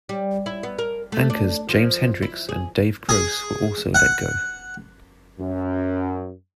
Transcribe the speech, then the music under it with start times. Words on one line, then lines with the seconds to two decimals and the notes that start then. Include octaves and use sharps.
Anchors James Hendricks and Dave Gross were also let go.
0.09 G3
0.46 E4
0.63 B3
0.79 A#4
1.12 A3
1.30 D4
1.69 F3
2.22 E4
2.49 G#4
3.09 G#4
3.95 F#5
5.40 F#2